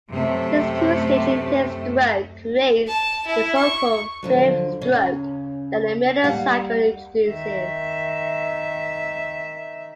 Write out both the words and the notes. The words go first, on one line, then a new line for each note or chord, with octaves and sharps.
This two-stage intake stroke creates the so-called "fifth" stroke that the Miller cycle introduces.
F#2 C3 A3
A5
E4
C#6
D3 F3 F#3
C#3 C#4
G3 A#3 F5 F#5
D#3 E5